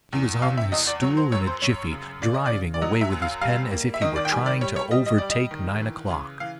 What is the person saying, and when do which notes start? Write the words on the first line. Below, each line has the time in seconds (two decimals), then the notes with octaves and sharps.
He was on his stool in a jiffy; driving away with his pen, as if he were trying to overtake nine o'clock.
0.13 E2
0.42 C3 F5
0.57 E5
0.72 E2 D#5
0.87 D5
1.02 F#3 C#5
1.17 C5
1.32 F#2 C#5
1.47 C5
1.62 F#2 C#5
1.92 C#3
2.22 C#3 D5
2.34 D#5
2.46 D5
2.52 C#3
2.74 D5
2.81 F#3 D#5
3.01 E5
3.12 F#2
3.22 F5
3.41 G3 F5
3.71 A#3
3.94 E5
4.01 D#3 D#5
4.16 D5
4.25 G5
4.31 G3 G#5
4.46 D5
4.61 G3 C#5
4.76 C#5
4.91 G3 D#5
5.06 D#5
5.18 G3 D5
5.30 D#5
5.51 D#3
5.81 E3
6.10 C#3
6.40 E3 F5